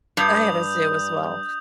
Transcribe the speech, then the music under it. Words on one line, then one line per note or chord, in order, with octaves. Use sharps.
I had a zoo as well.
G2 D#6 G6 F7